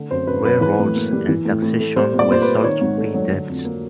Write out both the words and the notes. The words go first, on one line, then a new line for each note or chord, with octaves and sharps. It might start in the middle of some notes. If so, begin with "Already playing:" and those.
Railroads and taxation were sold to pay debt.
Already playing: D3 A3
F#2 C5
F#2 B4
F#3 B4
E3 B4
A2
A#3
G3
E3
A2
A2
A3
G3 C5
A#2
D5
A#2 C5
B4
A#3
D#3 C#5
G#2
A3
F#3
D3
F2
A#3